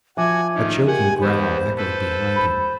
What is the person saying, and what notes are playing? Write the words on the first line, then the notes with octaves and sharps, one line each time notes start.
A choking growl echoed behind him.
F3 F#4 E5 G#5 D6 G#6
D#3 C#4 D#4
G4 A#4 F#5 G#5
E2 B3 C5
A4 B4 C5
B5